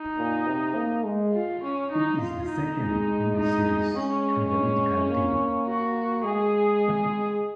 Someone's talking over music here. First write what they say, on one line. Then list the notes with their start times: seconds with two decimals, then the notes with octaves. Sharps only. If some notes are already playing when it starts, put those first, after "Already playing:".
It is the second in the series to have a medical theme.
Already playing: D#4
0.18 A#2
0.47 C3
0.76 A#3
1.04 G#3
1.33 F4
1.63 C#4
1.91 D#4
2.21 F4
2.49 D#4
2.78 G#3
3.35 D#4
3.93 G#3 C#4
4.51 C#4
5.08 A#3
5.67 F#4
6.24 G#3 G#4